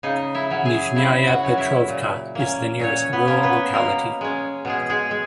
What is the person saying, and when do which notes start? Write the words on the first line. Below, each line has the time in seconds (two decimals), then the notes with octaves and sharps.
Nizhnyaya Petrovka is the nearest rural locality.
0.03 C#3 D#4 D#5
0.35 E4 E5
0.50 F#3 C#4
0.65 G#4 G#5
0.95 C#3 E4 E5
1.27 F#4 F#5
1.43 F#3 C#4
1.58 E4 E5
1.88 A#2
2.35 A#3 C#4
2.79 A#2 C#4 C#5
3.13 B3 B4
3.27 A#3 C#4
3.43 B3 B4
3.74 B2 A#3 A#4
4.21 G#3 C#4
4.65 B2 G#3 G#4
4.90 G#3 G#4
5.11 G#3